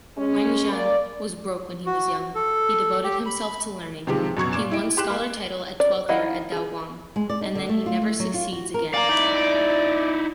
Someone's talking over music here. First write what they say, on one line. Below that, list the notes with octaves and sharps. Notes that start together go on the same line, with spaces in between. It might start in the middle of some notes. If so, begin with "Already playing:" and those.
Wang Zhang was broke when he was young. He devoted himself to learning. He won scholar title at twelfth year of Daoguang, and then he never succeeds again.
G#3 C#4
A#3 D5
F#4
A4
G4
B5
C3 D#3 F3 G#3 G4
F#2 B2 C#6 G#6
A#2 D6 E7
E4 D#5 D7
G4 C6 F#6 E7
A#3
D5
D#3 E4 D#5 F5 F#5
G#4
G#3
D5
D#4
D3
A3
F4
A3
F#3
F4
F#4
A#4
D5 F5 G#5 A#5
D#4 E4